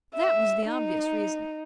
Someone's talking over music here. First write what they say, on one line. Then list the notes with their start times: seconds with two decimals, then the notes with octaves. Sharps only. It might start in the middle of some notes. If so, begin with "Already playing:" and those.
That was the obvious reason.
0.15 E5
0.67 D#4